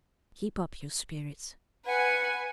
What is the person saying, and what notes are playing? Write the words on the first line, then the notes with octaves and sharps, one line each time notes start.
Keep up your spirits.
B4 F#5 G#5